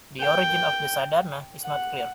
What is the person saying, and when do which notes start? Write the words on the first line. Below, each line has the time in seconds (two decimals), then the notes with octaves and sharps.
The origin of the sardana is not clear.
0.21 G5
1.64 F#5